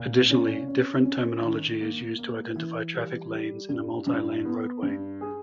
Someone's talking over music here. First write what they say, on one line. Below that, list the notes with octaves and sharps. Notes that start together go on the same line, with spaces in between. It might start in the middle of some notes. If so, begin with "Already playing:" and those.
Additionally, different terminology is used to identify traffic lanes in a multi-lane roadway.
Already playing: A#2
C#4
C#4
C#4
D#3
A#3
A#3
E3
G3
G3
G2
G2
B3
G2
G#4